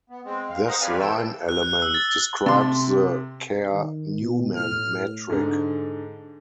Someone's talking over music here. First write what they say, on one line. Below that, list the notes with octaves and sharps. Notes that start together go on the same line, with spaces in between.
This line element describes the Kerr-Newman metric.
B3
G#3 C4
F5
A#4 C5 D#5 F5 F#5
C4 G4 B4 D5 F5 G#5
A2 E3 A4 G5 E6
F#6
F#6
E6
A6
G7
C3 A4 C6
D#3
B2
A2 F6
G#2 D3